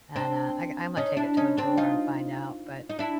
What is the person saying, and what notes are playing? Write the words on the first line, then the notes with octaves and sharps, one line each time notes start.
and, uh, I I'm gonna take it to a jeweler and find out. But
C4 D4
C#4 D#4
D4 E4
C#4 D#4
C4 D4
D#4 F4
D#4
D4 E4